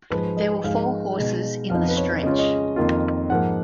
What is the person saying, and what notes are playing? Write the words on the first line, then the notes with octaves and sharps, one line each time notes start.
There were four horses in the stretch.
G#2 F3 G#3 B4
D#5
G#2 F3 G#3 F5
B2 G#3 D#4
F2 F3 B3 D#4 F5
B4
C#5
C#3 G#3 C#4 F4 D#5
C#5
D#5
F2 D#3 A#3 F4
G#2 F3 A#3 F#5